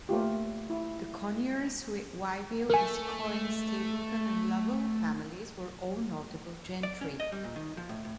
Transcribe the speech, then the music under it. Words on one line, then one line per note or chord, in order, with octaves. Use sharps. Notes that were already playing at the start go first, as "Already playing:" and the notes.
The Conyers, Wyville, Gascoigne, Stapleton and Lovell families were all notable gentry.
A3 A#3 F4 G4
E4
A3 A#4 G#5
D5
C#4
D#5
G3
A#2
D#3
F3
A2
A2